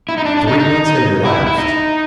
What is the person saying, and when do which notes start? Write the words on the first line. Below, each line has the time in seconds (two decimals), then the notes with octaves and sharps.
Three months had elapsed.
0.09 E4
0.18 D#4
0.25 D4
0.37 D4
0.47 D#4
0.59 D#4
1.25 E4
1.46 E4
1.58 D#4